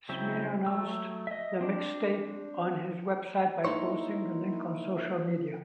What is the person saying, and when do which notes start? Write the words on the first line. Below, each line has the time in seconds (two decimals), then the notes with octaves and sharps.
Smino announced the mixtape on his website by posting the link on social media.
0.09 C#3 F#3 C4 E4
0.66 F#3 A3 E6
1.27 D#5 E5
1.61 C4 D4
3.65 A#3 D#4 E4 C5 C#5